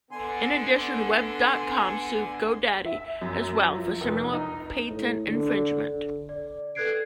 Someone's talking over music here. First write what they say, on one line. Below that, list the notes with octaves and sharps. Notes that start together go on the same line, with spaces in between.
In addition, Web dot com sued Go Daddy as well for similar patent infringement.
D3 B3 G#5 C6
E5
F#2
F3
F1
D#4
A2
D3
D5
A4 B4 F#6 G#6 C7 D7